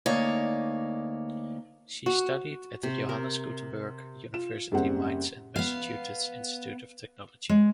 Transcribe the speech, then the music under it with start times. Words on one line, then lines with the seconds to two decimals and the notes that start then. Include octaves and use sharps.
She studied at the Johannes Gutenberg University Mainz and Massachusetts Institute of Technology.
0.06 D2 A#3 D#4 C#5 D5
2.06 F#4
2.83 C3
3.09 A#4
4.34 F4 E7
4.72 F#2 C#3 G3 A#3 C4 F#5
5.56 B3 F5
7.49 G#3